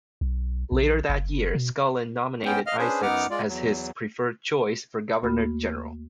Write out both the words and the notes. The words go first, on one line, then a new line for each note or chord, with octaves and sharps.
Later that year, Scullin nominated Isaacs as his preferred choice for governor-general.
B1
A#1
F#1
B2
G#2 B3 C#4 G5
D#5 F5 F6
C#4 D4 G#4 B4 C5
F#2 B3 D#4 F#5 D6 F6
G#3 F4 D5
E2 F#3
D#2 A3 A#3 F#4 B5 F6